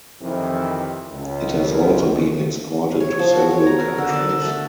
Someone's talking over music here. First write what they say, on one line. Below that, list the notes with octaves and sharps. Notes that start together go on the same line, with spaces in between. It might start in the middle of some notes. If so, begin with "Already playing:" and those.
It has also been exported to several countries.
F2 C3 D#3 E3 E4
C#2
C#5
F3
F#4
C#5
A#5
A#4
D3
D4
D4
A3